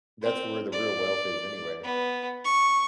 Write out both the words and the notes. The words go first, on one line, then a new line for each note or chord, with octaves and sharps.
that's where the real wealth is anyway.
C4
D5
B3
C#6